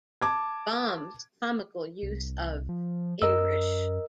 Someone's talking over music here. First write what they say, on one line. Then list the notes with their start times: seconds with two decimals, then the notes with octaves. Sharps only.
Bomb's comical use of Engrish.
0.22 A5 D6 G#6
2.03 C2
2.69 F3
3.22 F#2 A#4 D#5 E6